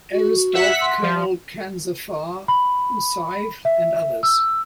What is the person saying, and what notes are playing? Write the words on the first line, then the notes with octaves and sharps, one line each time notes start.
Aristov, Colonel Kanzafar Usaev, and others.
F#4
E5 F#5 B6
C6
F3
B5
E5
E6